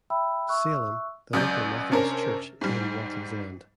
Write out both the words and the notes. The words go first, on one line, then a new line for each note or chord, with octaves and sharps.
Salem, the local Methodist church, is in Watley's End.
E5 G5 B5 E6
E5 C#6 E6 F#6
C#2 F#3 D5 G6
C3 C#4 D4 A#4 C5
G#2 G3